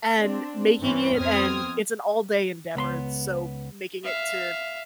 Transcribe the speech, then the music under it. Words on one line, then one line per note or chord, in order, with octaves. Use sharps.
And making it and it's an all-day endeavor, so making it to
C4 D4
G2 E3 C4 C#4
F2 B3 C4 D#6 F6 G#6
C#2 B3 B5 C6
E5 F5